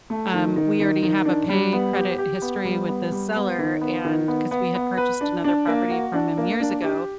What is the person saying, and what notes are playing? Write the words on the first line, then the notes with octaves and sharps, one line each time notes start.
um, we already have a pay credit history with the seller and 'cause we had purchased another property from him years ago,
A3
D#3
D#3
D#3
D#3
D4
G3
B3
G4
G4
B3
G3
B3
G3
B3
D#3
B3
D#3
B3
B3
B3
B4
D4
D4
A#3
F#4
D4
A#3
D4
G4